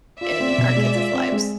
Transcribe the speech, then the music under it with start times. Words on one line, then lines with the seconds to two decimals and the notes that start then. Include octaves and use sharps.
in our kids' lives.
0.21 F4 D5 E5
0.40 C4
0.58 B2
0.77 G#3
0.95 F4
1.14 C4
1.32 G#3